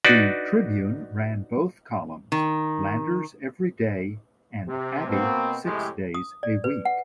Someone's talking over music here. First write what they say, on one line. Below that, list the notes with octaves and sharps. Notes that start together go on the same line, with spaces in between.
The "Tribune" ran both columns, Landers every day and Abby six days a week.
D4 D#4 F#4 B4 D5
D#3
C3
B2 A#3 C4
F2 A2 C3 G#3 E4 G4
D#6
D5
B4
F#5